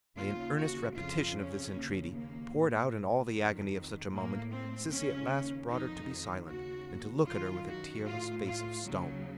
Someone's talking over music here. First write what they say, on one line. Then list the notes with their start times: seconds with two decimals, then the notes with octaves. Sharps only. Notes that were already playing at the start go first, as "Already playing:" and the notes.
By an earnest repetition of this entreaty, poured out in all the agony of such a moment, Sissy at last brought her to be silent, and to look at her with a tearless face of stone.
0.17 D#2 C#3 F4
0.57 F#4
0.96 F2 C#3 F4
1.36 C#4
1.75 D#2 C#3
2.15 A#3
2.54 A2
3.33 F2 D#3
4.12 A2 A#3
4.52 C4
4.91 D#2 C#3 C#4
5.70 F2 D#3 D#4
6.48 D#2 C#3 F#4
7.28 F#2 D#3 F4
7.68 F#4
8.07 A2 F4
8.46 F4
8.85 D#2 C#3 F#3